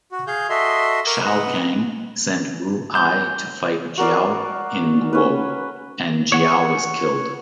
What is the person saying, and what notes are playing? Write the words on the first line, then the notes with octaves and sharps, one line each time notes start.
Shao Kang sent Ru Ai to fight Jiao in Guo, and Jiao was killed.
F#4
G#4 F5 G6
F#4 A4 D#5 E5 C6
A#4 C#6 D6
B4 D#5 F#5
G6
F#4 A#4 D5 F5
C#4 B4
C#5 F#5 C#6